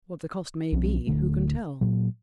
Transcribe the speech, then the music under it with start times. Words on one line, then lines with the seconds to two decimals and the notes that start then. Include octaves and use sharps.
What the cost may be, who can tell?
0.72 B1 F3 C4 C#4
1.07 D1 E2 D3 A3
1.81 A#2 F#3